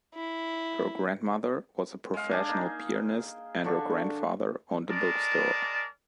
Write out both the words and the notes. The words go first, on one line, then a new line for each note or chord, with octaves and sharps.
Her grandmother was a professional pianist and her grandfather owned a bookstore.
E4
G#3 F5
D4 G#4
A#3 D#4
D3 D4 C#6
G#3 A#4 D5 A5